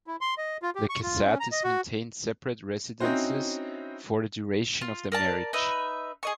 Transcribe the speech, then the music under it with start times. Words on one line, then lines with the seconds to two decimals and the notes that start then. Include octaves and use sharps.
The Casatis maintained separate residences for the duration of their marriage.
0.07 E4
0.21 C6
0.38 D#5
0.62 F4
0.75 G4
0.89 C#6
1.03 F4
1.25 C#4
1.40 A#5
1.52 D#5
1.64 F#4
3.00 C4 C#4 D#4 E4 F#4 C5
4.81 F4
5.12 A#4 D5 A5
5.53 D#4 B4 E5
6.23 G#4 D#5 C#6